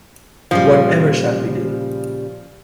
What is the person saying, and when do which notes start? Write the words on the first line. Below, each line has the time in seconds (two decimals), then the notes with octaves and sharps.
What ever shall we do?
0.51 A#2 C#3 F3 G3